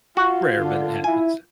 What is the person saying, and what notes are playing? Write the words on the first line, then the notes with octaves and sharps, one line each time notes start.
Rare, but it happens.
F4 F#4
D3
E4 G#5